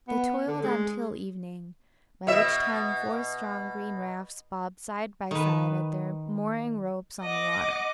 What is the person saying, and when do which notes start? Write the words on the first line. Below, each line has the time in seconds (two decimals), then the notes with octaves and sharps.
They toiled on till evening, by which time four strong green rafts bobbed side by side at their mooring-ropes on the water.
0.08 B3
0.48 D3
0.63 G#3
2.27 B2 E5
5.31 D#3 B4
7.21 D#5 F#5 D6